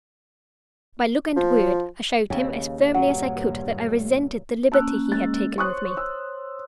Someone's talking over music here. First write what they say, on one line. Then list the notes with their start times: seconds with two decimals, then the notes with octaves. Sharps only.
By look and word, I showed him, as firmly as I could, that I resented the liberty he had taken with me.
1.36 F3
2.30 D#2 C#3
2.95 B1 G2 A#2 F#3 F#5
4.72 A#3 C#4 A5 E6 F#6
5.11 G#3 A6
5.58 C5 C#5 C6 C#6 D#6 F#6
5.97 E6